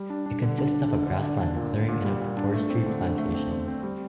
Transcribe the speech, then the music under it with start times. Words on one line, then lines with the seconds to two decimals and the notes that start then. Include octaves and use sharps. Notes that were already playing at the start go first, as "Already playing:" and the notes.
It consists of a grassland clearing in a forestry plantation.
Already playing: G3
0.10 D4
0.26 D4
0.42 D3
0.58 D4
0.74 D4
0.91 D3
1.07 D3
1.23 D4
1.40 D4
1.56 A#2
1.72 A#2
1.88 A#2
2.05 G3
2.20 A#2
2.37 D4
2.54 A3
2.70 C4
2.86 D3
3.02 D3
3.18 A3
3.34 C4
3.51 C4
3.68 C4
3.83 G3